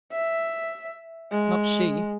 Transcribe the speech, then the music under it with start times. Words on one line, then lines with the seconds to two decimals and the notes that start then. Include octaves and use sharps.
Not she.
0.12 E5
1.32 G#3